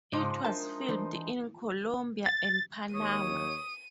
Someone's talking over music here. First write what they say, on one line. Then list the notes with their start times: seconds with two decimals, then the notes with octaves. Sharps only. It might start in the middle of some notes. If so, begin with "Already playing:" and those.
It was filmed in Colombia and Panama.
0.13 G#2 C#3 F3 G#3 D#4 D6
0.45 D4 A#4 E5 A5
0.88 E3 D4 C5
2.26 A6
2.94 D#2 C#5 D#6 D#7